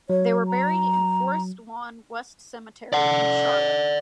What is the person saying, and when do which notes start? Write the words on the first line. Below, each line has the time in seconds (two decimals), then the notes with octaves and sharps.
They were buried in Forest Lawn West Cemetery in Charlotte.
0.10 F#3 C#5
0.48 A#5
2.93 D5 F#5